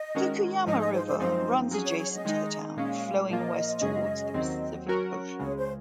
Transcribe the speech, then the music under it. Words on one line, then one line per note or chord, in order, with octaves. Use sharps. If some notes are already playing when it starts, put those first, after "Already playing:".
The Cuyama River runs adjacent to the town, flowing west towards the Pacific Ocean.
Already playing: D#5
D#3 G#3 C#4 F#4 A#4
G#2 F3 G#3 D#4 G#4 D#5
D#5
C5
C5
F#2 F3 G#3 C4 D#4 C5
F#3 C#4 G#4
C#5
C#5
D#5
D#3 G#3 D#4
A#2 G#3 C#4 F5
A#2 F3 A#3 F4 D#5
F#2 C#3 G#3 C#4 G#4
D#2 D#3 F#3 C4
F#3 C#4 F#4 A#4
C#2 C#3 G#3 C#5
C5